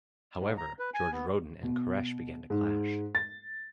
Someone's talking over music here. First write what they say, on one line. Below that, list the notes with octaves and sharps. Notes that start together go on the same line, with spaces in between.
However, George Roden and Koresh began to clash.
G#2
A#5
B4
G#5
B3
B2
G#2
A6